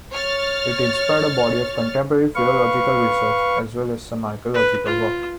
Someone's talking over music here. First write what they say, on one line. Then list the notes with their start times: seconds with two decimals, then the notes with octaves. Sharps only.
It inspired a body of contemporary philological research, as well as some archaeological work.
0.12 C#5 F6 A6
2.35 B4 F5 C#6
4.54 B4
4.86 F4